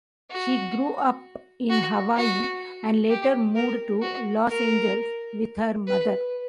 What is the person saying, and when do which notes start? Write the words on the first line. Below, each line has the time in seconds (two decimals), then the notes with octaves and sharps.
She grew up in Hawaii and later moved to Los Angeles with her mother.
0.31 F#4
1.70 F#4
2.16 F#4
3.10 G4
3.56 A#4
4.02 F#4
4.49 A#4
5.88 B4